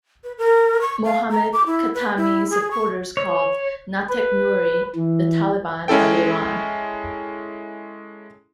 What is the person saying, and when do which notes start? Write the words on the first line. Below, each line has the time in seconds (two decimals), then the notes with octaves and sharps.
Mohammad Khatami's supporters called Nateq-Nouri the "Taliban" of Iran.
0.24 B4
0.38 A#4
0.81 C#6
1.04 F5
1.31 A#5
1.53 D6
1.66 E4
1.95 B4
2.17 E4
2.50 G#4
2.71 C#6
3.17 C#5
4.09 B4
4.96 E3
5.88 G#3 C#4 E4 A4 G5